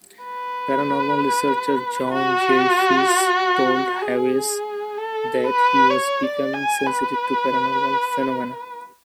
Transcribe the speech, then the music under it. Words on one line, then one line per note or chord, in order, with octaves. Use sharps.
Paranormal researcher John Zaffis told Hawes that he was becoming sensitive to paranormal phenomena.
B4
F#4
G#4
A4
B4
C#5
D5
G#5
B4